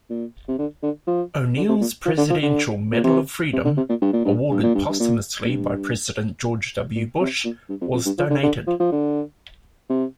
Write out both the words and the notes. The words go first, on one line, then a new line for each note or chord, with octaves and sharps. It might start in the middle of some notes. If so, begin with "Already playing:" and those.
O'Neil's Presidential Medal of Freedom-awarded posthumously by President George W. Bush-was donated.
A#2
C3
D3
D3
F3
D3
C3
A#2
F3
D3
F3
D3
A#2
C3
C3
D3
C3
A#2
G2
A#2
G2
G2
A#2
G2
G2
A#2
A#2
G2
A#2
C3
A#2
G2
F2
F2
G2
F3
D3
D3
F3
F3
D3
C3